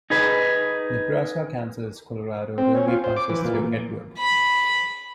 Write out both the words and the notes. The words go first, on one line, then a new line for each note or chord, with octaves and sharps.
Nebraska Kansas Colorado Railway passes through Atwood.
D#4 G#4 B4
C4
C#4
F4
C5
D6
E3
A#2
B5